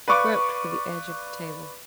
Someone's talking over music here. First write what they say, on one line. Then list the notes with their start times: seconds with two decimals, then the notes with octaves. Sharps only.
She groped for the edge of the table.
0.08 B4 D5 F5 C#6 D6